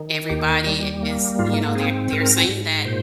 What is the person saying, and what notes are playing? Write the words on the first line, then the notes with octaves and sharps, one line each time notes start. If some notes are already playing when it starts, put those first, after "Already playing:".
everybody is you know, they're they're saying that
Already playing: D#3
D#2 G4
G3
A#3
G#2 F4
C4 G#4
G#2 A#4
G#2
A#2 C5